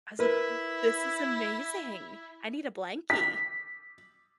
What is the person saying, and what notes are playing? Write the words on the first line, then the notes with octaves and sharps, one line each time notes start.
I was like, mm, "This is amazing. I need a blankie."
E4 A#4 B4
B6